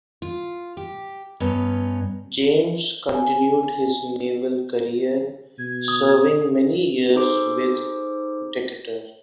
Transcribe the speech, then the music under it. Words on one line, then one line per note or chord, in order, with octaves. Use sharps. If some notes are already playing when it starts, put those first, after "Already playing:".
James continued his Naval career, serving many years with Decatur.
F4
G4
G2 B3 C#4 D#4
G#5
B2 G#6
D#6
D#4 G#4 A4 C5 C6 D6